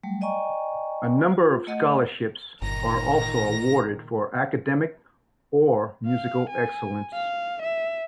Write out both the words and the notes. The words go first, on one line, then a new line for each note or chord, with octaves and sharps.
A number of scholarships are also awarded for academic or musical excellence.
F#3 G3 A3
D5 D#5 G5 G#5 A#5 C#6
F4
A3 D#5 F#5
G1 A#2 D#3 A#5 A#6
F5
G#5
F5
E5